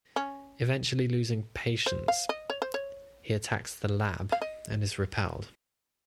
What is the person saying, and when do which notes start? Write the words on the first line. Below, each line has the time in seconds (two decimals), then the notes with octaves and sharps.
Eventually losing patience, he attacks the Lab and is repelled.
0.16 C#4
1.86 C5
2.08 F5
2.29 D#5
2.50 C#5
2.62 C5
2.74 C#5
4.32 F5
4.42 D#5